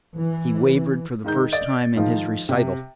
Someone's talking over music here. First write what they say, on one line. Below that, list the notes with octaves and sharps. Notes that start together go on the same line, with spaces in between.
He wavered for the first time in his recital.
E3
G#2 D#3 D#4 G6
D5 D#5 A6 D7
G#2 D#3 F3
C3